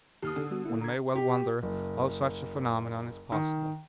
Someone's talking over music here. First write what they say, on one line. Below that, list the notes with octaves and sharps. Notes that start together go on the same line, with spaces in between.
One may well wonder how such a phenomenon is possible.
D#2 G4 D#6 F6
D3
G3 B3 F#4
A#3 E4
A#5 G#6
G4
F#1
D#3